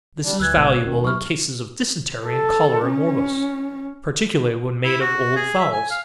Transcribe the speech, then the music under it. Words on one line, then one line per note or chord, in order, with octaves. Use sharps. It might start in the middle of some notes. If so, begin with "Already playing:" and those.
This is valuable in cases of dysentery and cholera morbus, particularly when made of old fowls.
G3 D4
D2 E3 E6 F#6 G#6
G#1 B2 G#3
D#1 B2 D#3 C#4
F#3 B3 E4 C#6 F6
A4
C#4
E4
F#4
G#4
E5
G#5
F5